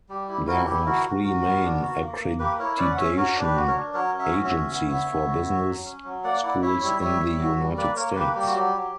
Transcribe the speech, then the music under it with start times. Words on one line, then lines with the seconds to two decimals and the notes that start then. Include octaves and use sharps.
There are three main accreditation agencies for business schools in the United States.
0.09 G3 G4
0.28 E4 G4
0.47 E4 F#4 A#4
0.67 E4 G4
0.86 F#4 A#4
1.06 F#4
1.24 F#4
1.43 B3
1.63 D4
1.82 F#4
2.01 A#3
2.20 A#3
2.39 A#3 G4 B4
2.59 E4 A#4 C#5
2.78 C#4 B4 D5
2.91 F#5
2.97 C#4 C#5 E5
3.16 F#4 A#4 C#5
3.36 D4
3.42 G4 B4
3.56 F#4
3.68 A#4 C#5
3.75 D4
3.93 F#3 A#4 C#5
4.13 C#4
4.18 C#5 E5
4.31 F#4
4.44 C#5 E5
4.51 C#4
4.71 B3
4.89 B3
5.09 B3
5.28 F#4
5.47 F#4
5.66 F#3
5.85 C#4
6.04 F#3
6.24 A#3 D5 F#5
6.43 E4 D5 F#5
6.62 E4 C#5 E5
6.81 G3 C#5 E5
7.00 G3 C#5 E5
7.20 G3
7.39 F#4
7.59 G3
7.77 A#3 B4 D5
7.96 A#3 A#4 C#5
8.16 A#3 G4 B4
8.35 G3 G4
8.46 F#4
8.53 F#3 G4
8.73 F#3